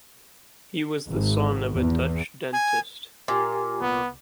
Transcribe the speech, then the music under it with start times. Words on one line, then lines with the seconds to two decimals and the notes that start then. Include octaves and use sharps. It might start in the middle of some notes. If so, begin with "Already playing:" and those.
He was the son of a Dutch dentist.
1.08 G#1
1.73 E2
2.53 G#5
3.28 A#2 G4 G#5 C6
3.81 C2 B3